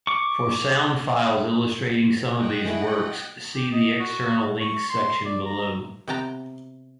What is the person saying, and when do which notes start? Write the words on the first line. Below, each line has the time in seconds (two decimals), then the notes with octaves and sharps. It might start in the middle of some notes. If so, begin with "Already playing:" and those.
For sound files illustrating some of these works, see the "External links" section below.
0.07 C#6 D6
2.36 D#5 F#5 G5
2.66 G#3 A3 E4
3.55 G4
3.72 D#5
4.00 F#4
4.61 C#6
4.90 C6
5.25 D5
5.45 A#5
6.08 C3 B3 G5 A5 A#5